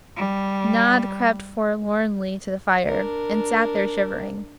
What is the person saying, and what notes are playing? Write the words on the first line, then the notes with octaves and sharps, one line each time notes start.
Nod crept forlornly to the fire, and sat there shivering.
G3
D4 A#4